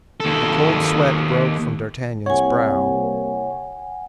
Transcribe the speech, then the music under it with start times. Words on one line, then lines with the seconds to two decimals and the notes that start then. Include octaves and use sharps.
A cold sweat broke from d'Artagnan's brow.
0.20 D#2 A4
2.26 C2 A#3 C#5 F#5 G#5